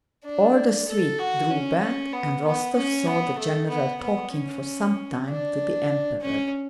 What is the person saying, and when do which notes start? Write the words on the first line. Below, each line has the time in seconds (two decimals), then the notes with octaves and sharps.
All the suite drew back and Rostov saw the general talking for some time to the Emperor.
0.25 D4
0.88 A4
1.19 F#4
1.50 C#4
1.81 C#4
2.13 B3
2.45 B3
2.76 C#4
3.07 B3
3.38 A3
3.69 B3
4.02 B3
4.32 C#4
5.27 D4
6.21 C#4